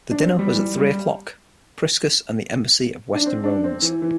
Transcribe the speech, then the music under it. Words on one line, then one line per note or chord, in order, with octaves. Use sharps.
The dinner was at three O'clock; Priscus and the embassy of Western Romans.
D4
C4
G3
E3
G3
G3
D4
C4
D4
C4
E3
E3